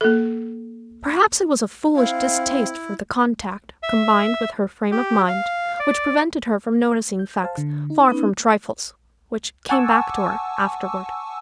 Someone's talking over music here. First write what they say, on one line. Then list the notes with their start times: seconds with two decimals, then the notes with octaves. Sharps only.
Perhaps it was a foolish distaste for the contact, combined with her frame of mind, which prevented her from noticing facts far from trifles, which came back to her afterward.
0.01 A#3 A4
1.96 C4 E4 F5
3.83 E5
4.91 G4
5.28 F5
5.80 D5
7.19 G6
7.44 C5 F5 A5
7.58 D3
7.90 D#4
8.09 B3 C#4 D#4 B4
9.69 F#5 G#5 A5 C#6 D6 E6